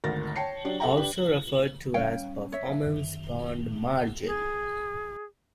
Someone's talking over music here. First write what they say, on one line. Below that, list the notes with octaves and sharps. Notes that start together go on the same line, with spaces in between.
Also referred to as performance bond margin.
G#1 D2 A#4 A6 A#6
C#5 G5 A5 C7 C#7
F#3 D4 G4
G4 A4 E5 F#5 G5 A#5
D4 G4 B4
G3 C#4 C#5 F5 G5
C#5 E5
F#2 D#3
G#4